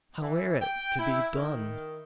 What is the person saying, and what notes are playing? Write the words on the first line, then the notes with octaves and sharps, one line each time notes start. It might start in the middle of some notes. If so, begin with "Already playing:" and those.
How air it to be done?
E3
G5
E4
D#3